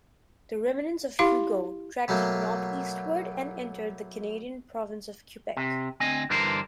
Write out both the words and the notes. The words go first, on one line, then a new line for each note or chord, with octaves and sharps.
The remnants of Hugo tracked northeastward and entered the Canadian province of Quebec.
E4 G4 F5 C6
B2 F#3 A3 A#3
C3
D2 C4 D#5 G#5
G2 D3 E3 A#4 C5